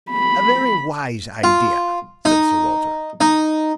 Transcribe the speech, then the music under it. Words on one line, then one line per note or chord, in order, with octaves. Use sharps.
"A very wise idea," said Sir Walter.
B5
F4
D#4
D#4